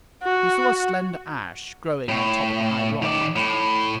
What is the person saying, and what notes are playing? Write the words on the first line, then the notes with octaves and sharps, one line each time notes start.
He saw a slender ash growing on top of a high rock.
F#4
A2
D#3 D5
A2